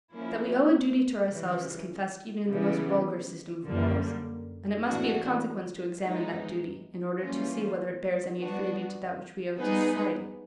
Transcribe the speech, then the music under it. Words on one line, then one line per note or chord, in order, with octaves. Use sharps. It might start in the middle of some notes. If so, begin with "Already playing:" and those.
That we owe a duty to ourselves is confessed even in the most vulgar system of morals; and it must be of consequence to examine that duty, in order to see whether it bears any affinity to that which we owe to society.
F3 A#3 C#4 E4
C#3 E3 G3
C#3 E3 G3 B3
F#2 D3 G3 A#3
A2 E3 A3 D4 F#4
E3 G#3 B3 D#4
E3 G3 A#3 C#4 F4
G3 B3 D4 F#4
G3 B3 D#4 G#4 B4